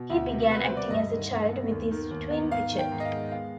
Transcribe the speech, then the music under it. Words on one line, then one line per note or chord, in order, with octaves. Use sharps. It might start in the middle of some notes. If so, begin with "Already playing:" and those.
He began acting as a child with his twin Richard.
Already playing: B2
D2
C3
D2 B4
C5
G3
D5
G2 D#5
D#3
G2
B3
D#2
D#3
D#2
B3
G#2 F5
D#3
G5
G#2
D#5
F5
G#3
B3 F5